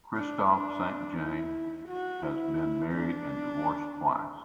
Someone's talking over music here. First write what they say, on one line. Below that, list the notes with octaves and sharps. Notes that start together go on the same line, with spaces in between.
Kristoff Saint John has been married and divorced twice.
D4
D4
E4
F#4
E4
D4